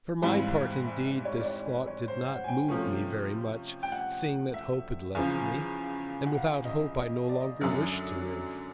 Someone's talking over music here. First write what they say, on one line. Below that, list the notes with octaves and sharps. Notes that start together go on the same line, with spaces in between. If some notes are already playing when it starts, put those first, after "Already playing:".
For my part, indeed, this thought did not move me very much, seeing that hope had left me, and without hope I no longer wished to live.
G#2 E3 G3 C4 E4 F5
E5
F5
E5
E5
C#5
D5
C#5
C#5
C#5
C5
F#5
G#5
G5
C3 F3 A3 C#4
G5
F#5
E5
E2 C#3 F3
F#5
F5
D#5
E5
D#5
D5
D#5
F#2 D3 F#3 E5